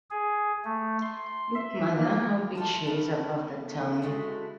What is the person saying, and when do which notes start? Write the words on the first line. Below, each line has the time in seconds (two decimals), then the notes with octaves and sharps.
Look, mother, how big she is above the town!
0.10 G#4
0.65 A3
1.02 C6
1.55 E5
1.97 A#3
2.55 A3 F4 A5
2.87 A3 B3 E4 A#4
4.02 G#3 A3 E4 F#4